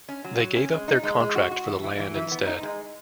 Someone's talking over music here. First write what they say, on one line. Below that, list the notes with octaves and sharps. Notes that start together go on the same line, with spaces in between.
They gave up their contract for the land instead.
C#4
F#3
F#3
C#4
G#3
D#4
G#3
G#3
F#4
F#4
E3
E3
E3
E3
B3
D#4
G#3